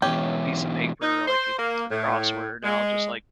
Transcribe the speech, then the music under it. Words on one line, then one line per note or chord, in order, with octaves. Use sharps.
a piece of paper, like, if it's a crossword, and I'll just, like,
G#2 B2 E3 C#4 G4
D#4
C5
A#3
A2
G#3